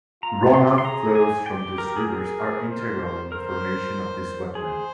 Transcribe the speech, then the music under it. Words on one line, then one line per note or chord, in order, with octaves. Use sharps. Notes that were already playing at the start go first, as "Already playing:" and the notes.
Runoff flows from these rivers are integral in the formation of this wetland.
F4 A#5
C6
C6
G#4 A#5
G#5
G4 G5
A#4
G#4
G#4 A#4
C5
A#4 C5
G#4 C5